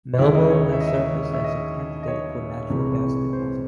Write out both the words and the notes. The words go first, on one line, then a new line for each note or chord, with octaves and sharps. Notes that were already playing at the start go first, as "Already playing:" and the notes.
Melville has surfaced as a candidate for natural gas deposits.
D#2 C#3 G#3 E4
D#4
C#5
E5
D#5
E5
E5
D#5
D#5
C#5
C2 C3 E3 G#3
C5